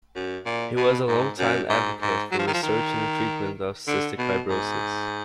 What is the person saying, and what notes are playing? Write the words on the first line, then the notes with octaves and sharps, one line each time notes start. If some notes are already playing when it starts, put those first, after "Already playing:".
He was a long-time advocate for research and treatment of cystic fibrosis.
F#2
A#2
B2
G#2
F#2
G#2
G#2
F#3
F3
D#3
F3
D#3
D3
B2
G#2